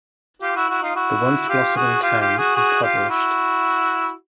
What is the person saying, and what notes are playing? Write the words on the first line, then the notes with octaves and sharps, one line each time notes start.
The once blossoming town impoverished.
F4 G4
E4 F#4
E4 F#4
D#4 F4
E4 F#4
F4 G4
F#4 G#4
F4 G4
F4 G4
F#4 G#4
F#4 G#4
F4 G4
E4 F#4